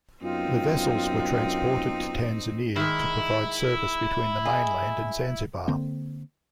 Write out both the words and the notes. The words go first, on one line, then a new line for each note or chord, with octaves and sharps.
The vessels were transported to Tanzania to provide service between the mainland and Zanzibar.
F#2 B3 C4 D#4 F4 G5
D#3 G#3 E4
G#4 D#5 G#5
D3 A#3 C4